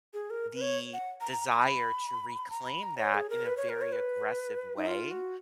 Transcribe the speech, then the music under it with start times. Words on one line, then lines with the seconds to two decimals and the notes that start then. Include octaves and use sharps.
the desire to reclaim that in a very aggressive way.
0.14 G#4
0.30 A#4
0.56 B4
0.61 C#5
0.93 F#5
1.21 A#5
1.32 A#5
1.52 A#5
1.56 B5
2.50 A#5
2.67 B5
2.82 A#5
2.98 C#5
3.14 G#4
3.30 A#4
3.46 B4
3.57 C#5
3.69 A#4
3.81 C#5
3.92 B4
4.77 D#4
4.87 F4
5.11 F#4